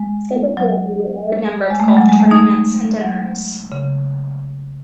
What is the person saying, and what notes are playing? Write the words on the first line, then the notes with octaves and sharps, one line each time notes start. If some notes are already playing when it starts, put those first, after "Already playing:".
Scheduled throughout the year are a number of golf tournaments and dinners.
Already playing: G#3
F#3
G#3
A3
G#3
F#3
G#3
A3
D#4
F#3
C#3